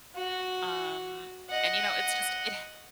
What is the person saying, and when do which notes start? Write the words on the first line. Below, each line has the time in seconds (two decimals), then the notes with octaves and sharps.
um, and, you know, it's just it ha
0.15 F#4
1.50 D#5 F#5